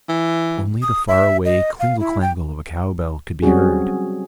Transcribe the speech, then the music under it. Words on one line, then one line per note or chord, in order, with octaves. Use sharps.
Only the far away klingle-klangle of a cow-bell could be heard.
E3
D#6
E5
D#5
F5
E4
G5
F#3 G3 C4 C#4 F#4 G#4